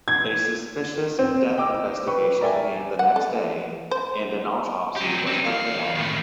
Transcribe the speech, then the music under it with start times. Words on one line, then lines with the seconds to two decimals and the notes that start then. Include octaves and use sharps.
A suspicious death investigation began the next day and an autopsy was performed.
0.08 G#6
1.19 C4
1.56 D#5 G5 D6 E6
2.07 B4 G5 C#6
2.41 A#4 D5 E5 G5 G#5
2.99 F#5
3.16 A4
3.91 C5
4.96 F#3 G4
5.27 C4 D#4
5.45 E2 F5
5.95 A2 D#3